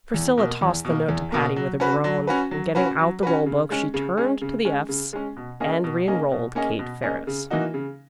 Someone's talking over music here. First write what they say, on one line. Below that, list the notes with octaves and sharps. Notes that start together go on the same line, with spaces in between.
Priscilla tossed the note to Patty with a groan, and getting out the roll-book, she turned to the F's and reenrolled Kate Ferris.
E2
B2 A#3
E2
B2
A#3
E2
B2 A#3
F#3
C#4 F#4 B4
F#3
C#4 F#4 B4
F#3
C#4 F#4 B4
F#3
C#4 F#4 B4
C#3
G#3 C#4
C#3
G#3 C#4
C#3
G#3 C#4
C#3
G#3 C#4
B2
A#3 C#4 G#4 D#5
B2
A#3 C#4 G#4 D#5
B2
A#3 C#4 G#4 D#5
B2
A#3 C#4 G#4 D#5
C#3
E3 A#3 D#4 F#4
C#3